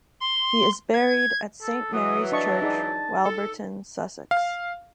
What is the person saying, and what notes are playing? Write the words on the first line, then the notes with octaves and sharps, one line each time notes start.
He is buried at Saint Mary's Church, Walberton, Sussex.
C6
G#6
A4
E3 F#3 D#6
D4 D#5 A5 C#6
D#4 G#4 D5
A4
F5